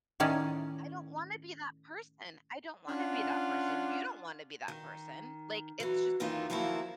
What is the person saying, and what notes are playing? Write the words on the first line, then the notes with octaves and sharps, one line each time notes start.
I don't wanna be that person. I don't wanna be that person, you don't wanna be that person, like, it's just
A2 D#3 C#4 D5
C#4 D4 F4 F#5
D#3
E3 F#3
F#2 D#3 E3 A#3 D#4 F4
D#3 F3 F#3 A#3 C4 E4